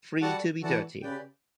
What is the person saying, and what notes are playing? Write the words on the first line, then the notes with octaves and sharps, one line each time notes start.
Free to Be Dirty!
G3 F#4 A4 D5 F#5 A5
E3 F#4 A4 D5 F#5 A5
C#3 G4 B4 D5 G5